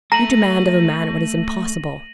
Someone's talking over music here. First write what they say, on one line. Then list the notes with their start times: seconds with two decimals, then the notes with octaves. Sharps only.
You demand of a man what is impossible.
0.12 A3 A#5 A#6 D#7 F#7